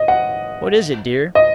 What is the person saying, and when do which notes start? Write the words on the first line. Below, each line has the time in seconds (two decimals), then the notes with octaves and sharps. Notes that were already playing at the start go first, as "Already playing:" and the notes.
"What is it, dear?"
Already playing: D#5
0.08 F#5
1.35 D#5